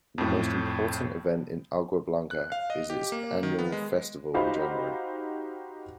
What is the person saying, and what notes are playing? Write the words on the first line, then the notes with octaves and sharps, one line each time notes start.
The most important event in Agua Blanca is its annual festival in January.
F2 A2
F#6
F5
D#5
G4
A#3
D#3
B3
G#3
D#4 F#4 G4 C5 F5 B5